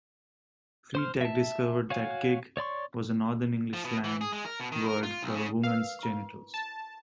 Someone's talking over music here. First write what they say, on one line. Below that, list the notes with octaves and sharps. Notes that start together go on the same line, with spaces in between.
Freitag discovered that "gig" was a Northern English slang word for a woman's genitals.
C5 C6 F6
E5 A5
F#4 C#5 F5 G#5
C#5 D5 C6 C#6
F3
B2
E3
G#4
G#3
A#4
B2
D#3
A#4
F4
B1
C#3
A#4 B4 F5 D6
E4 C#6
A5